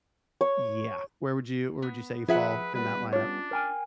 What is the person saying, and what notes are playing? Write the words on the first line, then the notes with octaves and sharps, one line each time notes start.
yeah. Where would you where would you say you fall in that lineup?
C#5
B3
F3 G#4 B4 E5 F#5
G3 B3 B4
C#4 D4 F4
A#4 G5 G#5